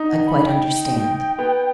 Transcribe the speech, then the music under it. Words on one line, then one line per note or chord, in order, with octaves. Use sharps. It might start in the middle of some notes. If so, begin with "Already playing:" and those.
"I quite understand."
Already playing: D#4
F#5
B5
G5
B3